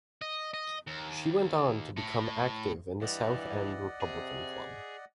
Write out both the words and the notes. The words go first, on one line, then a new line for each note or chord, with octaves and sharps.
She went on to become active in the South End Republican Club.
D#5
D#5
D#2
A2
G2 E3 G3 D5 D#5 F#5
C3 G#4